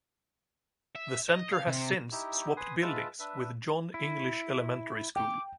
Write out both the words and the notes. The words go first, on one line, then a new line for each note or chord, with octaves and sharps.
The Centre has since swapped buildings with John English Elementary School.
E5
D#5
F5
C3
D#4 E4 G4
B4 G#5 C6 D#6
G#3 F4 B4 E5 A5
D4 B4 E5
E4
G5 D6